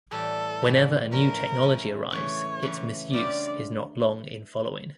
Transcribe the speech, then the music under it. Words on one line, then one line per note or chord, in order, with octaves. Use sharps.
Whenever a new technology arrives, its misuse is not long in following.
A2 E3 G3 A4
A2 E3 G3
F3 C#4 E4 A#4
F3 C#4 E4
C#3 E3 A3 C#5
C#3 E3 A3
C#3 G3 D4 F4 D5